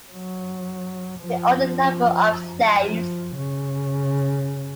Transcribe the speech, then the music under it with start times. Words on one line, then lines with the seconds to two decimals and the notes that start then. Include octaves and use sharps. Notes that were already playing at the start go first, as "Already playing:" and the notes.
He owned a number of slaves.
0.11 F#3
1.19 F3
2.82 F3
3.36 C#3